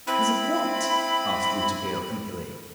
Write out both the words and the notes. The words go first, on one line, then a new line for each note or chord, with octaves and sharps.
"Because of what?" asked Rouletabille eagerly.
C4 E4 B5